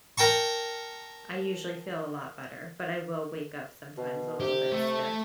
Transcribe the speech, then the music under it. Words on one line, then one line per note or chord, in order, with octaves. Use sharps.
I usually feel a lot better, but I will wake up sometimes a little bit stiff.
A#4 G5 A5 C#6
B2
C3 G4
A3